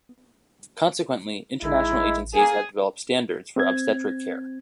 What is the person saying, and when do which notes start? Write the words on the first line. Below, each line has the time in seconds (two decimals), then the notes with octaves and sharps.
Consequently, international agencies have developed standards for obstetric care.
1.62 A1 G#3 D#4 E4
2.35 A#3 G#4
3.56 C4 G#6